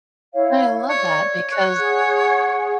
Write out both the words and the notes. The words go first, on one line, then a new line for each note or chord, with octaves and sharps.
I love that because
E4 C#5 F5
C#5 D5
C#5 F#6
G#4 F#5